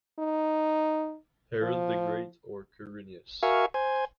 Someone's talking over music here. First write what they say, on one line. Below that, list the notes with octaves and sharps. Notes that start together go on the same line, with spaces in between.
Herod the Great or Quirinius.
D#4
F3
F#4 A#4 E5 F5 G#5 C#6
C5 G#5